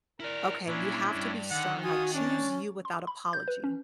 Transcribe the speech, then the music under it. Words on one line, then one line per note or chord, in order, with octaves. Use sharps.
okay, you have to be stern, like, choose you without apology,
E4 A#4 D5
A#2 C#4 D4 E4
G2
D3 D#3 F#5
F4 F#4 G#5 D#6
C#4 D4 A6
C6
B5
G6
B4
C#4